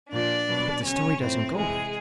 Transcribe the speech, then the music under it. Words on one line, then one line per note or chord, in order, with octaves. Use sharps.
But the story doesn't go right.
A#2 F3 D4 D5
B2 F#3
C#3 F#3 C#4 C#5
A2 F3 C4 C5
C3 E3 G#3 G#4